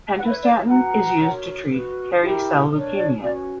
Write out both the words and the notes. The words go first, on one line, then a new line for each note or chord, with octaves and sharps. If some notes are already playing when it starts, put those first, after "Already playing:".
Pentostatin is used to treat hairy cell leukemia.
E4 B4 D5 F#5
C#5
D5
C#5 E5
F#4 B4 F#5 A#5
F#4 A#4 C#5
F#4 B4
E4 G4 A#4
D4 A#4 C#5 D5
D5
C#4 F#4 B4 D5